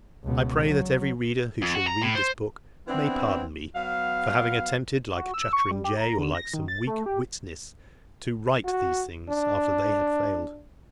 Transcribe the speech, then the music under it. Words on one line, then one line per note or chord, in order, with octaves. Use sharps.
I pray that every reader who shall read this book, may pardon me, for having attempted, like a chattering jay, or like some weak witness, to write these things, after they had failed.
C#2 B2
F#3
F2
F#4
A#5
A2
C5
E3 B3 C4 D4 E4
F#3 B3 F5
F#4
E6
C#6
G3
G4
A#5
D3
A#6
D#3
A6
A3
G4
F#4
D4